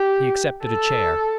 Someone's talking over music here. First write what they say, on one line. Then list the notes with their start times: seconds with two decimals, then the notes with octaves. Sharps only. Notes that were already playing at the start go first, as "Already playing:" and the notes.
He accepted a chair.
Already playing: G4
0.64 A4